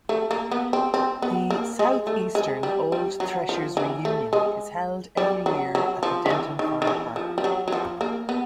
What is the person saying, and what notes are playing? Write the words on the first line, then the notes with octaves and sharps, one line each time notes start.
The "Southeastern Old Threshers Reunion" is held every year at the Denton Farmpark.
A3
A#3
B3
C4
C4
B3
A#3
G#3
A3
G#3
G3
G3
F#3
F3
E3
A3
G#3
G3
F#3
F#3
F3
D#3
E3
D#3
D#3
E3
F3
G3
F#3
F#3
F3
A#3
B3